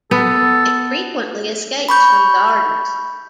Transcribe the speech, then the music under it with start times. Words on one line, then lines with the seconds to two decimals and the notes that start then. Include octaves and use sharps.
It frequently escapes from gardens.
0.11 B3 A4
1.89 B5 C#6 G6